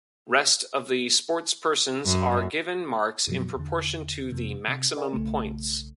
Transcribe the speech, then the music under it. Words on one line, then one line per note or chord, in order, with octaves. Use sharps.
Rest of the sportspersons are given marks in proportion to the maximum points.
F#2
F#2 B2 F3 F#3
E2 D3
F2 C3
C3
A#4 D5 E5 F#5 G#5
B1 C#3 A3